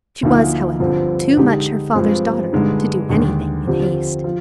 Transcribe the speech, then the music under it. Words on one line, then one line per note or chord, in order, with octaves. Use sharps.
She was, however, too much her father's daughter to do anything in haste.
D2 D3 F3 A#3 D#4
G2 D3 F3 C4
D3 G#3 D#4 G4
G2 F3 G#3 C4
G2 D3 G#3 D#4
D#2 D3 G#3 D4
D3 F3 C4 G4
F3